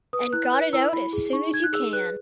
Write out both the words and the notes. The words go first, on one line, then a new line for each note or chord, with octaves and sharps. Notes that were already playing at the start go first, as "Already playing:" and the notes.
And got it out as soon as you can.
B4 D#6
E4 F#6
B4 F#6
E4 E6
E4 B5
G#4
D#4 C#6
D#4 G#6
F#6
G#4 E6
B4 F#6